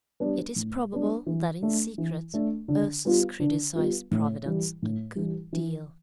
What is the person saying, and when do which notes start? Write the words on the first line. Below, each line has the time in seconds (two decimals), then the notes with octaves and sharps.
It is probable that in secret Ursus criticized Providence a good deal.
0.20 G3 B3 D4
0.56 A2
0.91 G3 B3 D4
1.26 E3
1.62 A3 D4
1.98 E3
2.34 A3 D4
2.68 D3
3.05 G3 B3 F4
3.40 D3
3.75 G3 B3 F4
4.11 A2
4.46 E3 G3
4.82 A2
5.17 E3 G3
5.53 E3